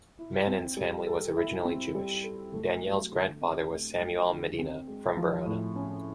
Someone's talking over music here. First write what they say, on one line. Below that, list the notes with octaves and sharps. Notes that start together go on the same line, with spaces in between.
Manin's family was originally Jewish: Daniele's grandfather was Samuele Medina, from Verona.
E4
C4
G3
A4
E4
C4
G3
A4
A3
F#3
D3
C4
A3
F#3
D3
C4
G#3
F3
A2
C#4